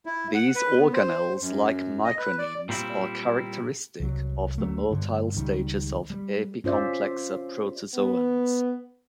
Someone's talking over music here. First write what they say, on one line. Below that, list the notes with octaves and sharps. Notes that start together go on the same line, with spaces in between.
These organelles, like micronemes, are characteristic of the motile stages of Apicomplexa protozoans.
E4
F#5
B4
B3
C5
F#2
D#5
B4
D5
A#2 G3 C4 E4
C2 F#3
D2 F#3 A3
G2 D3
C#2 D#3 G3
G3
C#4 F4 C5 D5 E5
B3